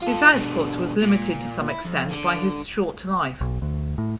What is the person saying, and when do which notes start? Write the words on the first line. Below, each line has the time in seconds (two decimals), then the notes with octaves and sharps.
His output was limited to some extent by his short life.
0.03 F4 A4
0.32 B2 D3
1.02 A#2
1.69 E4
1.85 F2
2.12 D3
3.41 B1
3.62 D2
3.98 A2